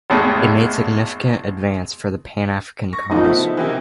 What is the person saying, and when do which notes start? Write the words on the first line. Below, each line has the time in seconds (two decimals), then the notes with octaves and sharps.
It made significant advance for the Pan-African cause.
0.10 G#1 E2 A3 G#4
2.93 C#6 A#6
3.11 A2 C#3 F3 B3 D#4
3.24 B3 E4 A4
3.57 C3 D#3 E3